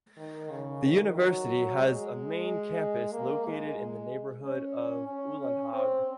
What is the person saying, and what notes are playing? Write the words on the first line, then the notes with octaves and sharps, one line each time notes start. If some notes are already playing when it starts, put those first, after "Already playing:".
The university has a main campus located in the neighborhood of Ullandhaug.
D#3
C#3
D#3
F#3
G#3
A#3
G#3
G#3
C#4
C#4
C#4
C4